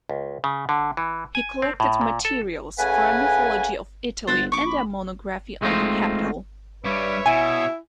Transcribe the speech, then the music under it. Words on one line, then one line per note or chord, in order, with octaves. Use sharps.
He collected materials for a mythology of Italy and a monography on the Capitol.
C#2
C#3
D3
E3
G#5
C4
A2
A#2
A4
C#3 A3 B4 F#5 G#5
G1 C5 E5 F#5 A6
A#1 C#6 D6 C#7
B5
G#3 A3 C4 D#4 F4
G2 G3 B4 C#5 E5
B2 E4 G#5